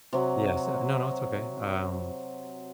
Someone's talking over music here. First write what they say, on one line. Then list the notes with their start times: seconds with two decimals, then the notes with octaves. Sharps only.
Yes uh, no, no, it's okay. Um,
0.13 C3 F#3